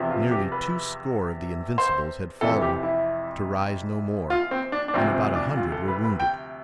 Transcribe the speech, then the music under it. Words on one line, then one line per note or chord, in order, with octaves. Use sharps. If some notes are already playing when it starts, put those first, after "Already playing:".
Nearly two score of the Invincibles had fallen to rise no more, and about a hundred were wounded.
Already playing: E2 C3 F3
F4
G4
B4
C5
F2 C3 E3 A4
G4
E4
F4
C4
D4
D4
D2 C3 F3 C4
C4
D4
F4
A4
B4
B4
G5